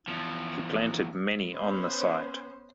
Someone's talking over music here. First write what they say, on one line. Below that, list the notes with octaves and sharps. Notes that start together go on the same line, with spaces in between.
He planted many on the site.
E2 F3
B3 C#4 C5